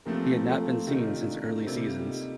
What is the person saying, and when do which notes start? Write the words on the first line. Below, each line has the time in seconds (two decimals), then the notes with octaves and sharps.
He had not been seen since early seasons.
0.05 A#2 F3 A3 C4 G4 A#4
0.46 F4 A4
0.87 C3 D#3 A3 D#4 G4
1.07 D4 F4
1.27 D#4 G4
1.47 F4 A4
1.62 C5
1.66 C3 G3 A#3 G4 A#4
1.82 G4
1.87 F4 A4
2.07 D#4 G4